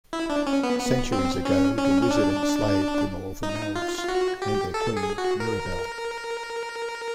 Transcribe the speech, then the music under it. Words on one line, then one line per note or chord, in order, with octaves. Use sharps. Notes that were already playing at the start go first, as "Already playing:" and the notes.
Centuries ago, the Wizard enslaved the Northern Elves and their Queen, Mirabelle.
E4
D4
C#4
B3
B3
C4
C#4
C#4
C#4
D4
D#4
F4
F4
F#4
G4
A4
G#4
F#4
A#4